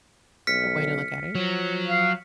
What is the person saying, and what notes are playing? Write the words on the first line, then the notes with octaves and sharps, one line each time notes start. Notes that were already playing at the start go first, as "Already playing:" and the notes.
That's a way to look at it.
B1 F6 B6 C#7
F3 F#3
F5